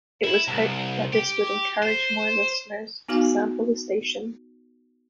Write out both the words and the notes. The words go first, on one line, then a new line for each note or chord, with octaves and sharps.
It was hoped that this would encourage more listeners to sample the station.
E4
C2
G4
C5
B3 D#4 F#4 F5 G#5